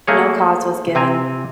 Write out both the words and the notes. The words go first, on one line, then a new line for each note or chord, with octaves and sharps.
No cause was given.
A3 A#3 G#4 C#5
C3 C4 G#5 A#5